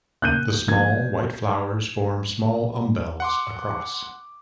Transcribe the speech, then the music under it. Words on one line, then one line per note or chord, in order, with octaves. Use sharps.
The small white flowers form small umbels, across.
A#2 C#3 A#3 F#6 G6 D#7
D3 F3 A#3 G#6
F#5 C6 D6